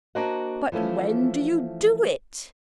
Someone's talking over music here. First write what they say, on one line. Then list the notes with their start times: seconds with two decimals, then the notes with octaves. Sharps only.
"But when do you do it?"
0.15 A#3 D4 F#4 C5 D#5 F#5
0.72 E3 F3 A3 C#4